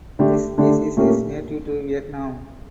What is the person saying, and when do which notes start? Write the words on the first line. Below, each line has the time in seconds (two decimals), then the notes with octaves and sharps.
This species is native to Vietnam.
0.19 D3 A3 D4 G4
0.58 D3 A3 D4 G4
0.97 A#2 A3 C#4 G4 A#4